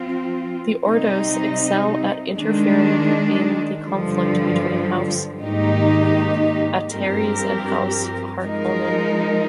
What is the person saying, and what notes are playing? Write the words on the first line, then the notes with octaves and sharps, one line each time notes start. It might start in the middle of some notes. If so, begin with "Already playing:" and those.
The Ordos excel at interfering in the conflict between House Atreides and House Harkonnen.
Already playing: F3 C4 F4
C3 G3 C4 D#4
D#3 G#3 D4
G2 D3 F3
G#2 D#3 A#3 D#4 G4
G2 F3 C4 G4 A#4
F3 G#3 D#4 A#4